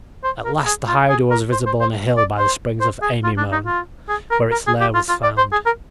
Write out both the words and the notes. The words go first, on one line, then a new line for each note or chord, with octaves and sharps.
At last the hydra was visible on a hill by the springs of Amymone, where its lair was found.
C5
A#4
G#4
F4
G#4
A#4
C5
C5
C5
D5
C5
C5
G#4
F4
D4
D#4
F4
G#4
A#4
A#4
G#4
G4
F4
F4
D5
C5
G#4
A#4